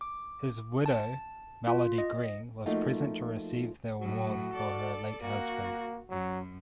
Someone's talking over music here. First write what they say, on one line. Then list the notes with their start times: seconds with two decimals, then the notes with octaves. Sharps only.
His widow, Melody Green, was present to receive the award for her late husband.
0.01 D6
0.86 A5
1.67 F4
1.98 D#5
2.66 F3 A3 A#3 D#4 F4 F#4
4.01 A2 F#3 F#4
4.53 A4 D5
5.22 A#3 F#4
6.10 F#2 F#3